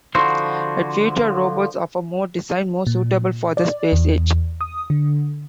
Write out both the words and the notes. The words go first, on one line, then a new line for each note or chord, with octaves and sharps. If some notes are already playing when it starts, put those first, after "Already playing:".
It featured robots of a more design more suitable for the Space Age.
D3 F3 E4 F#4 C5
A#2
D5
E2
D#6
D3